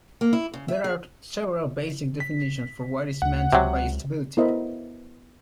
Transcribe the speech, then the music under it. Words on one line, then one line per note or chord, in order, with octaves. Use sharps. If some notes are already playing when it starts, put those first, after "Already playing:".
There are several basic definitions for what is meant by stability.
A#3
E4
C#3
E5
G#4
B6
D2 F#5
C#2 C3 F#3
B3 E4 A#4 C5 D#5 E5